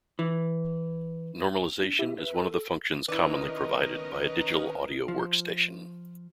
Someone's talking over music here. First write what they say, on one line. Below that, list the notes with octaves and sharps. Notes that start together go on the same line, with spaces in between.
Normalization is one of the functions commonly provided by a digital audio workstation.
E3
D4
E4 G4 E5
B4 E5
A4
D#3 C#4 E4 A#4 B4 D5 D#5
F3